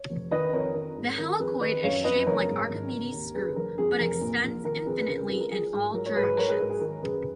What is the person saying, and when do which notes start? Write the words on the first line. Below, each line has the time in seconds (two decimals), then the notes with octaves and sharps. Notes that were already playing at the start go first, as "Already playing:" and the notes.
The helicoid is shaped like Archimedes screw, but extends infinitely in all directions.
Already playing: C#5
0.10 F1
0.31 D#3 B4 D#5
0.53 F2 A#4 C#5
0.74 D#3 A#4
0.97 G#2
1.18 D#3 A#4
1.39 F2 G#4 B4
1.61 D#3 B4 D#5
1.83 F#2 C#5 F5
2.04 F2 B4 D#5
2.26 F#1 A#4 C#5
2.48 G#2
2.70 G#1
2.91 C#3
3.12 D#2
3.34 F#2 G#4 B4
3.56 F#1 A#4
3.78 F2 G#4
3.99 F1 A#4
4.21 A#2
4.42 A#1
4.64 D#3 A#4
4.86 F2 G#4 B4
5.01 B4
5.08 C#3 A#4
5.19 A#4
5.29 C#2 G#4 B4
5.41 A#4
5.51 F#3 G#4
5.73 G#2 G#4
5.94 F#3 A#4
6.06 C#5
6.15 G#2 G#4 B4
6.37 F#3 A#4 C#5
6.48 G#4 B4
6.59 G#2 A#4
6.69 G#4
6.81 D#3 A#4
7.02 F#2 G#4 B4